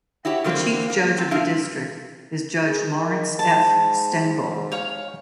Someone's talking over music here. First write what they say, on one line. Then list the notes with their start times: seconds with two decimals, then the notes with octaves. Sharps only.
The Chief Judge of the District is Judge Lawrence F. Stengel.
0.25 E4 F#4 G4 C#5
0.44 E2 D3 A#3 C4
0.90 A#3
1.18 C4
1.31 D4 E4 F4 F5
2.65 G#4
2.99 D#3
3.39 G#2 A5
4.72 C#5 F5